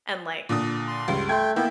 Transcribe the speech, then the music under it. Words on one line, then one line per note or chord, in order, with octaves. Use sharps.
and, like,
A#2 D3 D#6
C6
C#2 G2 C#3
A3 G5 C6 G#6
A#3 B3 E4 G5